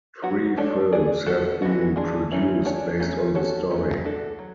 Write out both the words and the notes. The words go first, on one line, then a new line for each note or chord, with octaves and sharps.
Three films have been produced based on the story.
F#3 B3 F#4
A3 D4 A4 C#5
D4 G#4 D5
B3 F#4 A4
E3 G#3 B3 F#4
G#3 D4 G#4
F#3 A3 C#4 E4
A3 D4 G#4 C#5
F#3 A3 C#4
C#4 F#4 A4 C#5
F#3 A3 C#4
D4 F#4 A4
F#3